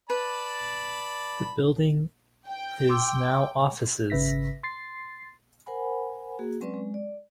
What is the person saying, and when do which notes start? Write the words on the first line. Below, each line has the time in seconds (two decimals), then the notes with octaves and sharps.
The building is now offices.
0.10 B4 D5 A5 B5
2.47 G5
2.89 C6 D6 E6
4.10 G#1 C#3 B4 E5 A#6 B6
4.63 C6 A6 C7
5.66 A#4 C5 F#5 G#5 B5
6.39 A#3 F#4 G#4
6.61 F#3 G#3 C4 C#4 B4 D5
6.74 G#3
6.94 D5